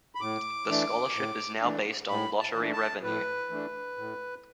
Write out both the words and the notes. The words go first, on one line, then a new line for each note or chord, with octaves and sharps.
The scholarship is now based on lottery revenue.
B5
A2 D6
E3 A3 D4
A2
E3 A3 D4
A2 B5
A5
E3 A3 D4
A5
A2 B4
E3 A3 D4
A2